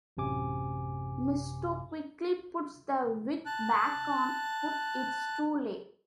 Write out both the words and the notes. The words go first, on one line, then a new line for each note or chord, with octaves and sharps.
Mysto quickly puts the wig back on, but it's too late.
A1 F#2 C3 G#5 D6
A5 F#6